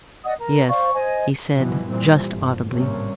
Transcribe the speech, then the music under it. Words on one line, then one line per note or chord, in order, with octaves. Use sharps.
"Yes," he said, just audibly.
D5 D#5 F#5 D#6
A#4 A#5
C5 D5 F5 C#6
C5 D#5 G#5
G2 B2 E3 F3 G3
A#2 E3 G3 C4
G1
G#1 A2 C3 G3 A#3 C#4